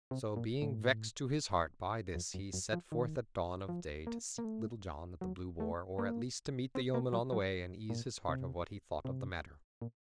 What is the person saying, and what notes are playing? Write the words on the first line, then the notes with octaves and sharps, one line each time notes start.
So, being vexed to his heart by this, he set forth at dawn of day to seek Little John at the Blue Boar, or at least to meet the yeoman on the way, and ease his heart of what he thought of the matter.
C3
A#2
A2
F2
F#2
F#2
F3
D#3
F3
A#3
A#3
A3
F#3
A3
A#3
C4
A#3
F#3
F#3
A#2
C3
C3
A#2